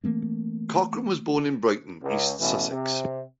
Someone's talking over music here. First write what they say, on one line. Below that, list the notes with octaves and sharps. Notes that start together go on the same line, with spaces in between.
Cochrane was born in Brighton, East Sussex.
E3 A3 A#3 C4
C#2
A1 B2 E3
C3